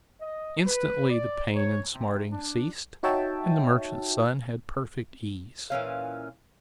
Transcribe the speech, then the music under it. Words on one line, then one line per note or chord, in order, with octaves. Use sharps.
Instantly the pain and smarting ceased, and the merchant's son had perfect ease.
D#5
B4
D5
C#5
C3
D4
D#4 F#4 C#5 E5 G5 A5
A#2 E3 C#4 F5